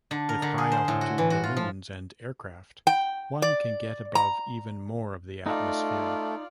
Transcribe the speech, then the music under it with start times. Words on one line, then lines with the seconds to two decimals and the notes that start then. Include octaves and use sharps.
With high-altitude balloons and aircraft, one can get above even more of the atmosphere.
0.11 D3
0.29 A#4
0.42 D3
0.58 G#4
0.72 C5
0.88 A2
1.01 F#4
1.18 E3
1.30 F#4
1.44 F4
1.56 F3
2.87 G5
3.42 D5
4.15 A#5
5.46 A3 D#4 F4 D5